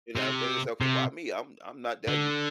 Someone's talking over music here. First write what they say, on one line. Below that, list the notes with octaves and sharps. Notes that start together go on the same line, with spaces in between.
You know, I they would say, "Okay, why me? I'm I'm not that n
C3
C3
D3